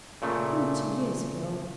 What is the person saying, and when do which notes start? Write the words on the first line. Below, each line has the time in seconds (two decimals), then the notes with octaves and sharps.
Twenty years ago!
0.22 A#2 C#3 A3